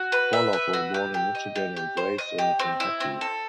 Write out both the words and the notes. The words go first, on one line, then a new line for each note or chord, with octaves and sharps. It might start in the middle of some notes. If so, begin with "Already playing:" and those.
Pollock was born in Michigan and raised in Kentucky.
Already playing: F#4
B4
E5
B4
F#4
G4
G4
D#5
G4
G4
C5
D#5
G4
C4
E4
C4
A4